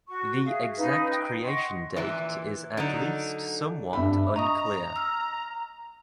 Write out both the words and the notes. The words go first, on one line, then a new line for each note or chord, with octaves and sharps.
The exact creation date is at least somewhat unclear.
F#4 C#6
G#4 E5 F5
C#4 D#4 B4 F5
G5
D#5 F#5 C6 C#6
A#2 E3
D3 F#3 D#4
G2 E5 B5
D#5 A#5 C#6 D#6
E6 F6